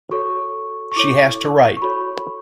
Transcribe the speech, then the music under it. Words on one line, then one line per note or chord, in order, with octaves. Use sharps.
She has to write.
F#4 A4 C#5 C#6
C#6
E4 A4 C#5 D6
C#6
F#4 A4 C#5 B5